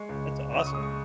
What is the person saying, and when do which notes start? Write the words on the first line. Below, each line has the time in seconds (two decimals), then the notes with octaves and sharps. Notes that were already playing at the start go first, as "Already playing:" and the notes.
That's awesome.
Already playing: G#3 C#6
0.09 C#2
0.31 C#2
0.52 C#2
0.59 D#6
0.67 C#6
0.73 G#3 D#6
0.83 C#6